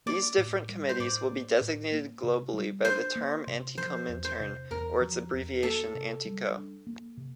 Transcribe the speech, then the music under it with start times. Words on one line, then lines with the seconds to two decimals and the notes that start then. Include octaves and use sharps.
These different committees will be designated globally by the term Antikomintern or its abbreviation Antiko.
0.06 A#3 D5
0.38 A2
0.69 G3
0.89 C5
0.99 A2 D5
1.31 A#3
1.61 A2
1.92 A#3
2.23 C3
2.54 G3
2.85 D4 C5
3.16 A#3
3.47 C3
3.77 F3 C5
4.09 E2
4.25 C5
4.40 C3
4.71 E2 A#4
5.01 F3
5.33 E2
5.63 A#3 A4
5.95 C3
6.25 G3
6.56 D4
6.87 A#3
7.17 C3